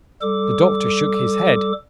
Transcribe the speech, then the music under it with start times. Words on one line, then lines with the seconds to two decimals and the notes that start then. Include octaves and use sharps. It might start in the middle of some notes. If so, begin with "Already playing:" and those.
The doctor shook his head.
0.21 G3 A4 D6